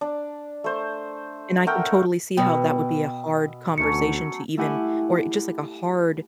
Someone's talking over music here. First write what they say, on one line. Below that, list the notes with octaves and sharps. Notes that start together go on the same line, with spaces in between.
And I can totally see how that would be a hard conversation to even or, eh, just like a hard,
D4
A3 C5
A3 A#4 F#5 G5
B2 B4 E5 G5 G#5
D2 F#3 A3 C#4 C#7
A3 E4 G4 F#5 G#5